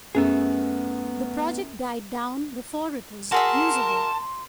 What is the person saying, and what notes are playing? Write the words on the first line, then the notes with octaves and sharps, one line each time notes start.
The project died down before it was usable.
F#2 A3 B3 G#4
F#4 G#4 A#4 E5 A5 C6